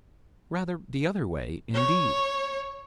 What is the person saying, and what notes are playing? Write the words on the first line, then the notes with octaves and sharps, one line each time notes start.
Rather the other way, indeed.
C#5